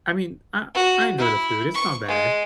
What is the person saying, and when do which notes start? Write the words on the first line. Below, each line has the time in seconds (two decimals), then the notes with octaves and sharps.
I mean, I I enjoy the food, it's not bad,
0.75 F#4
1.18 E4
1.74 C#6
2.07 G#3